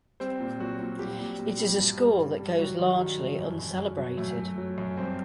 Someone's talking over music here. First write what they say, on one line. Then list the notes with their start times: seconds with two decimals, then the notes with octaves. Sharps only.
It is a score that goes largely uncelebrated.
0.20 G3 C4 C5
0.40 A#2
0.59 A#2 F#3 F#4
0.80 A#2
0.99 A#2 G3 G4
1.19 A#2
1.39 A#2
1.59 G3
1.79 G2
2.00 G3
2.19 G2
2.39 G3
2.59 G2 F#3 F#4
2.79 D#3
2.98 G3
3.18 G2
3.38 F#2
3.59 F#2
3.78 F#3
3.98 F#3
4.18 F#2 A3 A4
4.38 F#3
4.58 F#3
4.78 F#2
4.97 G2 C4 C5